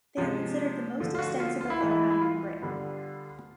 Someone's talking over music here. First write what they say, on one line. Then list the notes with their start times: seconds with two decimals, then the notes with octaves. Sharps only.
They are considered the most extensive of their kind in Britain.
0.17 C3 F3 G#3
0.99 D3 F3 A3
1.15 F4
1.19 F#4
1.40 F4
1.61 F4
1.70 E4
1.80 A2 E3 G#3 D#4
1.91 E4
2.10 E4
2.22 F4
2.62 D3 G3 B3